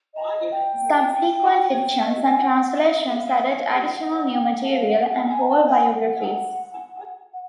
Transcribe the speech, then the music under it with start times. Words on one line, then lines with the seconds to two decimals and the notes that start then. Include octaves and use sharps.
Subsequent editions and translations added additional new material and whole biographies.
0.14 D#5
0.52 G5
2.05 D#5
2.24 G#5
2.42 F#5
2.55 G5
2.62 F#5
2.81 F5
3.00 E5
3.18 F5
3.38 E5
3.57 F5
3.76 F#5
3.95 F#5
4.14 F#5
4.33 G5
4.52 F#5
4.71 F5
4.90 F#5
5.29 G#5
5.41 A#5
5.48 A5
5.66 G#5
5.86 F#5
7.33 F#5